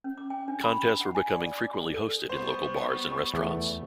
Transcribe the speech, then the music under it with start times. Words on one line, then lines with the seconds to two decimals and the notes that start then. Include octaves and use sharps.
Contests were becoming frequently hosted in local bars and restaurants.
0.04 C#4
0.18 D6
0.30 G5
0.48 D4
0.64 B5
1.01 F#5
1.15 G#5
1.33 D5
1.64 D6
1.94 A4
2.29 G3 B3 C5 C#6
3.34 E2 A3